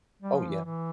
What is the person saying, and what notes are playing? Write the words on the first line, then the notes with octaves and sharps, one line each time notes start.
Oh, yeah.
G3
F3
E3
E3